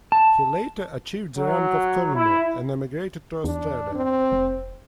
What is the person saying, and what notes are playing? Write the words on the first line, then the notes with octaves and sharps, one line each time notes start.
He later achieved the rank of colonel and emigrated to Australia.
A5
F#3
E4
E2 D4
C4
F1